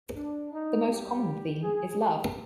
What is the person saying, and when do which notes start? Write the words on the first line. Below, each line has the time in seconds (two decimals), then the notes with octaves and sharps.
The most common theme is love.
0.15 D4
0.52 D#4
0.89 B1 B2 G3 G4
1.62 G#4
1.99 G4